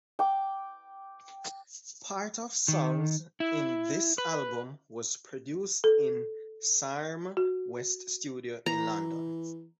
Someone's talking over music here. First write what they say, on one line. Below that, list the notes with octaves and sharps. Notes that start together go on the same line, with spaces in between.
Part of songs in this album was produced in Sarm West Studio in London.
G5 D6
D#3
E4
B4
A4
F#4
E3 A#5